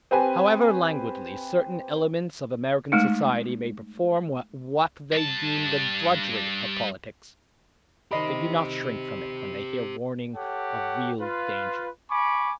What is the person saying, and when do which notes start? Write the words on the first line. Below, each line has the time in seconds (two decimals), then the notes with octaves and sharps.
However languidly certain elements of American society may perform what they deem the drudgery of politics, they do not shrink from it when they hear warning of real danger.
0.11 C4 G4 B4 G#5
2.92 G#3 A3 D#4
5.13 G2 A5
8.11 D#3 G4 C5 D#5 B5
10.36 G4 A4 C#5 F#5
11.21 F4 B4
12.11 G#5 B5 C#6 D6